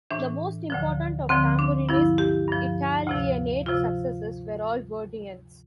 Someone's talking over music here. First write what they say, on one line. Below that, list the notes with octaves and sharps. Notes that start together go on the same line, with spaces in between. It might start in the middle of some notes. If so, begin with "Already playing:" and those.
The most important of Tamburini's Italianate successors were all Verdians.
A2 E3 D4
D2 D3 F3
D2 D3 F3 C4
D4
G2 F3 E4
G4
G2 F3
D2 C3 F3
C3 F3 F4